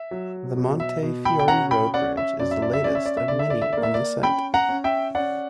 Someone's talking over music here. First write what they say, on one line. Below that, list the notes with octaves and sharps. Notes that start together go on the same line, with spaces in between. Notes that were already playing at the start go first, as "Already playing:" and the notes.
The Montefiore Road bridge is the latest of many on the site.
Already playing: E5
F#3
B2
E5
B2
G5 B5
G5
C#4 F#5 A#5
G5 B5
C#4 D5 F#5
E5
F#2 D5
E5
D5
E5
C#4 D5
E5
D5
E5
D3 D5
E5
D5
E5
A#3 D5
E5
D5
C#4 G5 B5
F#5 A#5
C#4
E5 G5
C#4 D5 F#5